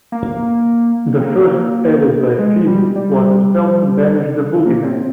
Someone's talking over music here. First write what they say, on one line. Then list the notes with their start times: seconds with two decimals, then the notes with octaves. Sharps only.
The first, added by Phoebe, was a spell to banish the Woogyman.
0.12 A#3
1.20 C4
1.25 A#3
2.39 G#3
2.67 G3
2.96 G3
4.65 A#3
4.84 C4